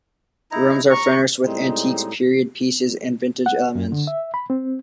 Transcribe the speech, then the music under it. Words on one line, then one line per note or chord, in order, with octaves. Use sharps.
The rooms are furnished with antiques, period pieces, and vintage elements.
D#4 E4 A#5
A#5 C#6
A2 G3 G#3 C4 D#4
F#5
F#2
D3
E5
B5
C4